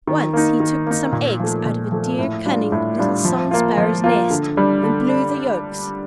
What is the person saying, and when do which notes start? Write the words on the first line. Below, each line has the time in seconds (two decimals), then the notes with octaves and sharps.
Once he took some eggs out of a dear, cunning, little song-sparrow's nest, and blew the yolks.
0.07 D#3
0.33 A#3 D#4
0.60 D#3
0.86 A#3 D#4
1.12 A#2
1.40 F3 A3
1.66 A#2
1.92 F3 A3
2.19 A2
2.45 G3 D4 F4
2.72 A2
2.98 G3 D4 F4
3.25 F3
3.51 A#3 F4
3.77 F3
4.04 A#3 F4
4.30 D3
4.57 G3 D4
4.83 D3
5.09 D4